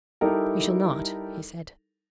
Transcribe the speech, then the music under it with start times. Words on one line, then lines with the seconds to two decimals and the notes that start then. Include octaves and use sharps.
"We shall not," he said.
0.21 G3 D#4 E4 G4 A4 A#4